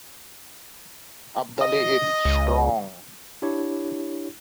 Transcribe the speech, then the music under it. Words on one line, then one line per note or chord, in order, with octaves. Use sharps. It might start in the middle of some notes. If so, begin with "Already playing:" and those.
Abdali is strong.
D#5
C#2
D4 E4 G4 C#5